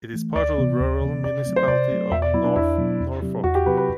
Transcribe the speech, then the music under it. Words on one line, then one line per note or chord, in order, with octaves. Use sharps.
It is part of the Rural Municipality of North Norfolk.
E3 A3
D2 D5
C3 E3 B3
D2
C3 E3 B3
C3 D5
F#3 A3 C4
C5
C3 D5
F#3 A3 C4
E2 E5
D5
B2 F#3 B3 E4
D4
E2 E4
B2 F#3 B3
E2
C3 F#3 C4 G4
E2 F#4
G4
C3 F#3 C4 G4 B4
B4